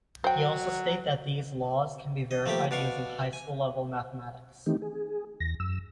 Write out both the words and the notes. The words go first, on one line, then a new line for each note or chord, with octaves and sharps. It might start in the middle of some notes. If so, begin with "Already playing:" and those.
He also states that these laws can be verified using high-school level mathematics.
F#3 C5 G5
D#5
F3 A3 A#3 C4 G4
B2 D4 F5 C#6
G#5
D#3 E3 A3 C4 D#4 G4
G#4
E2 A#6
F#2 E6